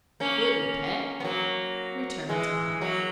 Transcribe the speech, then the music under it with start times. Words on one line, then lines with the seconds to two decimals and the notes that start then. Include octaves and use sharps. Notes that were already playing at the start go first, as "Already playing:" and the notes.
"Couldn't, heh?" returned Tom.
0.20 A#3 C#4
1.20 B3
1.24 F#3 A#3
2.29 E3 G#3
2.81 F#3 A#3